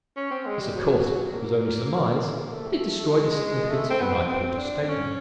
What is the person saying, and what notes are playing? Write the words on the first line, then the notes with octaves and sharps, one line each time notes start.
This, of course, was only surmise, but it destroyed the significance of the night porter's statement.
C#4
C4
G#3
G3
F#3
A#3
A3
G#3
A3
C4
B3
C4
C4
D4
C#4